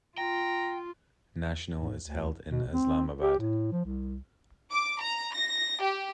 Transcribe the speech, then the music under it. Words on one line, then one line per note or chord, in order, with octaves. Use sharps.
National is held in Islamabad.
F4 G5 A#5
G#2
D2
B2
C4
G4
A2
F3
C2
D6
A#5
A#6
G4